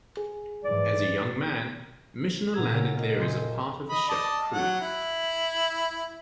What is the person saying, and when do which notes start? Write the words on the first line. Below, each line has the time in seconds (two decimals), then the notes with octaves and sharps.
As a young man, Michener landed there as a part of a ship crew.
0.17 G#4
0.65 G#2 E3 D5
2.53 A#2 B3 A#5 E6 G#6 E7
2.71 C#3 A#3 A#4 G5
2.96 A#4 D#5
3.19 F#1 G#4 C6 G6 C#7
3.90 D#5 B5
4.09 D5 D#5 A5
4.52 F#3 F#5
4.80 E4